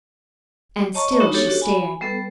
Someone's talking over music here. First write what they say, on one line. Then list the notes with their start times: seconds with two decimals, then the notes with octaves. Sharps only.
And still she stared.
0.94 C#5 D#5 A5 A#5 C#6
1.20 G#3 B3 D4 D#4 F#4
1.34 D4 G4 A4 C#5
1.46 D4 F#4
1.60 F#4 G#5 B5
2.01 G3 B3 A4 B4